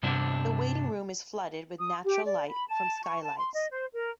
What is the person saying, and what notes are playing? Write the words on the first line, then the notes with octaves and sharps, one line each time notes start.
The waiting room is flooded with natural light from skylights.
G2 C3 G3 B3 D4 E4
D#6
G4
D5
B5
A5
C#6
A5
C6
D#5
C5
A#4